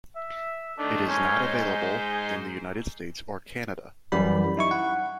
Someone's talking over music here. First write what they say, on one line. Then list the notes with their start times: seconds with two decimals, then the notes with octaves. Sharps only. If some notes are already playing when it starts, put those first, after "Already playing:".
It is not available in the United States or Canada.
0.16 E5
0.78 D#3 A3 D4
1.07 G#2 C#4 D#4 C5
1.53 G#4
4.12 F#2 E3 G3 B5
4.57 D#4 E4 C#6
4.71 F#5